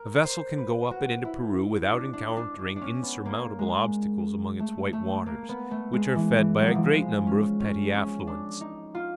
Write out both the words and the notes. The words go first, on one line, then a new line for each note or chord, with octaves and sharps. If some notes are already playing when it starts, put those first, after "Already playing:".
A vessel can go up it into Peru without encountering insurmountable obstacles among its white waters, which are fed by a great number of petty affluents.
Already playing: A#4
C5
B4
F#4
E4
D4
D4
D4
D4
D4
C#4
B3
A#3
G#3
A3
A3
A#3
B3
A3
G#3
E3
E3
F#3
F3
E3
F3
G#3
C#4
C#4
C#4
D4
D#4
F4